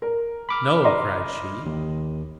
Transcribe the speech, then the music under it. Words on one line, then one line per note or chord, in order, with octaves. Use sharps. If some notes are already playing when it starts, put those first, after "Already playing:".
"No!" cried she.
A#4
B5 D6 F6
D#5 A#5 C6
D#2